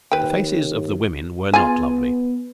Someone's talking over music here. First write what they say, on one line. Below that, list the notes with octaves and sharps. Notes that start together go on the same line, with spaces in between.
The faces of the women were not lovely.
D#2 B4 G5
B3 F4 G#4 G#5